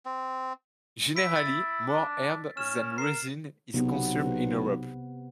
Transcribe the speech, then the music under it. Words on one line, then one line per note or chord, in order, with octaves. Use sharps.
Generally, more herb than resin is consumed in Europe.
C4
E4 E6 B6 D7
A6
D4
C#4 F6 E7
A#4 C7 E7
B1 C3 B3